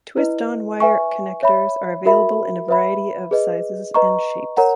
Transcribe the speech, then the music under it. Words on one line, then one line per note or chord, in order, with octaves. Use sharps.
Twist-on wire connectors are available in a variety of sizes and shapes.
E4 B4 D#5
B4 E5 G#5 C#6
C#5 E5 B5
F#4 A#4 E5 B5
B4 E5 B5
G#4 B4 D#5
B4 D#5 A#5 C#6
A#4 C#5 F#5 A#5